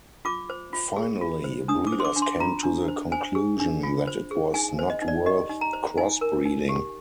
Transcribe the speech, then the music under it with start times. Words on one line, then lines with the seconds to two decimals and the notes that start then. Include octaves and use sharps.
Finally breeders came to the conclusion that it was not worth crossbreeding.
0.25 F4 D6
0.50 C5
0.73 F4
0.96 G#4
1.21 F4
1.44 C5
1.68 D4 D#6
1.87 D6
1.92 C5
2.00 C6
2.05 D6
2.16 D4
2.22 C6
2.40 F4 A#5
2.63 D4
2.88 C5
3.12 C5 G#5
3.35 G#4
3.60 D4
3.83 F4
4.07 C5
4.31 G#4
4.54 D#4 G#5
4.79 C5
4.90 D#5
5.02 D#4
5.08 D5
5.26 G4 D#5
5.49 D#4
5.61 A#5
5.73 C5
5.98 D#4 G#5
6.21 A#4
6.45 D#4
6.69 G4